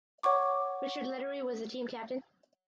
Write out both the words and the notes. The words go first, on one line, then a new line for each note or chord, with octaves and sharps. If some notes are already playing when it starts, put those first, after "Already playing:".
Richard Lettieri was the team captain.
C#5 F#5 C#6 D6